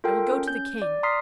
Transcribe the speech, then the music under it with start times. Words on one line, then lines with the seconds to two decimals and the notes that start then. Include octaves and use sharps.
"I will go to the king."
0.04 F4 A4 A#4 G5
0.31 C#4
0.48 G6
0.82 D5
1.03 A#5 C6 D#6 F6 B6 C7